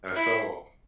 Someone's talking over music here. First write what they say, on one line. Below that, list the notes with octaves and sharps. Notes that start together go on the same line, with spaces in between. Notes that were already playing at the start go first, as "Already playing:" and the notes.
and so
E4